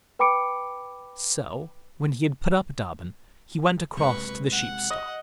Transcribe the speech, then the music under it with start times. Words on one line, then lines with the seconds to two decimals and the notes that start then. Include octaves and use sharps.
So when he had put up Dobbin, he went across to the sheep- stall.
0.19 B4 G5 B5 D6 C#7 D7
3.97 F#1 C3 G#3 B4 C#6
4.51 F#5
4.90 D#5